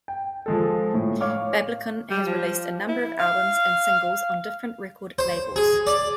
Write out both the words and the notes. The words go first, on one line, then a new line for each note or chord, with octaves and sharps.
Bablicon has released a number of albums and singles on different record labels.
G5
F3 G#3 A4
A2
C#5 F5 D6 F6
G3
F3
E4
F5
C5
G#4
D5